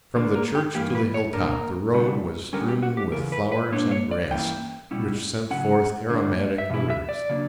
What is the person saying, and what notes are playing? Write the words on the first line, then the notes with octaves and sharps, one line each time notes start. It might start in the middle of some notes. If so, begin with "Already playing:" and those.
From the church to the hill-top the road was strewn with flowers and grass, which sent forth aromatic odors.
D3 A#3 D4
A#4
G4
G2 E3 A#3 G4
B4
C#5
B2 A#3 D4 A#4
C#3 G3 B3 D4
D3 G3 C#4 A#4
G4
F#4
G4
E2 C#3 A#4
B4
B4
A#2 A#3 D4 C#5
C#5
D5
G2 E3 A#3 C#4 E4 G5
B2 G3 C#4 E4
C#3 F#3 C#4 F#5
G2 D3 A#3 D4
E5
E2 B2 E4
E5
D5
C#3 F#3 A#3 D4